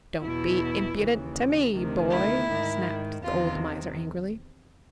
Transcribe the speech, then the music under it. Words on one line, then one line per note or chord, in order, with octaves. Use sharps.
"Don't be impudent to me, boy!" snapped the old miser angrily.
E2 B2 E4
D#2 C#3 E3
D2 C3 D#3
E4
G#2 D#3
E2 C3 D#3 F4